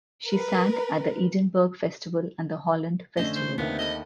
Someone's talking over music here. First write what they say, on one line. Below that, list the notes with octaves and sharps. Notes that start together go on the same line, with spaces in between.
She sang at the Edinburgh Festival and the Holland Festival.
A#4 B4
D3 A3 C#4 C5 D#5 E5
E3 C5
D#2 C3 D#3 B3 D4 E5
A3 A4 D#5 B5